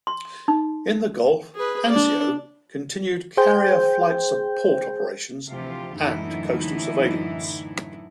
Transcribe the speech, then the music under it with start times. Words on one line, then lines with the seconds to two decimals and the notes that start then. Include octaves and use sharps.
In the Gulf, "Anzio" continued carrier-flight support operations and coastal surveillance.
0.07 C6
0.48 D#4
1.56 G#4 B4
1.89 D4 D5
3.37 G#4 C5 G5 G6
5.50 D2 C3 E3 F3 F4 G4
5.96 F#2 A2 D3 E3 D#4 E4